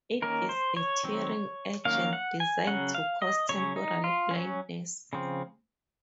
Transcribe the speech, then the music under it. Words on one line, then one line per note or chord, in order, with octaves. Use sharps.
It is a tearing agent designed to cause temporary blindness.
D#3 A#3 C#4 A#4
C5
C#5
D#3 F#3 C4
D#3 F#3 A#3 C#4 F5
F#5
G#5
C#3 F#3 C#4 F#5
F5
D#5
C#3 F#3 C#4 C#5
D#4
F4
F#3 C#4
C#3 F3 C4